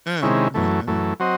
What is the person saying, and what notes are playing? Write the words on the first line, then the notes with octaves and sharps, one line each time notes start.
Mm, mm-mm.
C3 D#3 G#3 C#4 E4
F#2 E3 A3
F#2 E3 A3
F#3 C4 F#4 C5 D#5